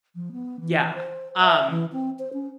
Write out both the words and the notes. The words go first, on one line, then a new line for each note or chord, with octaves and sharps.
Yeah. Um,
F3
B3
E3
C5
E5
E3
C4
C5
C#4